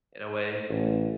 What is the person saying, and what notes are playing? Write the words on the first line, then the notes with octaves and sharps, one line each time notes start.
in a way.
A1